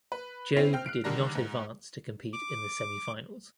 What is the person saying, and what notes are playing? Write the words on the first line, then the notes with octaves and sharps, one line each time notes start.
Jobe did not advance to compete in the semifinals.
B4
C4 C#4 E4 C7 F7
C4 G5 F6
F#6 C7 D7
D3 D#3 G3 D4 A#4 A#6
G#2
D6